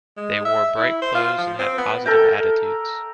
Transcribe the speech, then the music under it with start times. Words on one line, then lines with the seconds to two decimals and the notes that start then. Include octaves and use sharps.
They wore bright clothes and had positive attitudes.
0.17 G#3
0.45 E5
0.77 E4
1.02 C5
1.15 F4
1.38 F3
1.59 C4
1.78 B3
2.06 A4 A#4 G5